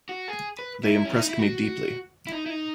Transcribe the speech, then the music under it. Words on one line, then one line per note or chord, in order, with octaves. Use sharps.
They impressed me deeply.
F#4
G#4
B4
E4
C#4
D#4
E4
F#4
E4
D#4
E4
D#4